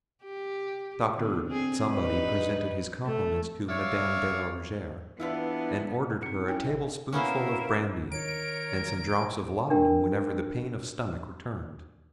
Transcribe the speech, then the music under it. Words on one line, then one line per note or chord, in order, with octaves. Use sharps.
Doctor Somebody presented his compliments to Madame de la Rougierre, and ordered her a table-spoonful of brandy and some drops of laudanum whenever the pain of stomach returned.
G4
D3 B3
C4 G#4
G2 D#4 B4
A3
C#5 D5 E5 F5
E3 B3 D4 E4 F4 B4
C4 D#4 C#7
C#4 E4 G5 G#5
A1 D#5
A#3 B3 C#4 E4 A#4 F5
D#3 A#4 C#5 D7
D4 A#4 G5